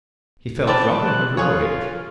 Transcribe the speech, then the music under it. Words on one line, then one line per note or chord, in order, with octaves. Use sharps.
He felt rather heroic.
C4 B4 D5 A5
F#6
C#4 F4 G#4 C#5